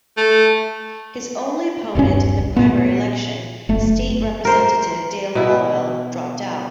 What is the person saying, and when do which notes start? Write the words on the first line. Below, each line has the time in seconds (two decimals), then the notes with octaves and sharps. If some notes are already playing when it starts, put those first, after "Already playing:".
His only opponent in the primary election, State Representative Dale Folwell, dropped out.
0.17 A3
1.95 D#1 B1 G2 C#4
2.56 A#2 B3
3.69 F#1 A3
4.45 A#4 C5
5.35 B2 E4